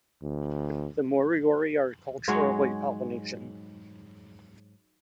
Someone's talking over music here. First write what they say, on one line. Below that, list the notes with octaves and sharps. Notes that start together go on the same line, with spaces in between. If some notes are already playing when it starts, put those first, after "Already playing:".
The Moriori are culturally Polynesian.
D2
G#2 F#3 G#3 C#5